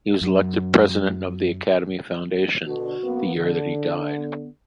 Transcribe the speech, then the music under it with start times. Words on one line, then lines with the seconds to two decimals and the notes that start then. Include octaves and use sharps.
He was elected President of the Academy Foundation the year that he died.
0.21 F#2 F#3
2.66 B2 D3 F#4
3.03 F#2 A#3 B3
3.36 D3 D4
4.17 B3